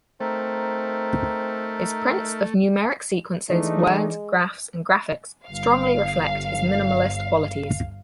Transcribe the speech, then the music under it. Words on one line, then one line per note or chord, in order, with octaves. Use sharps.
His prints of numeric sequences, words, graphs, and graphics strongly reflect his minimalist qualities.
A3 C4 D#4 A#4 E5
E3 G#3 A3 D4 D#4
G1 F5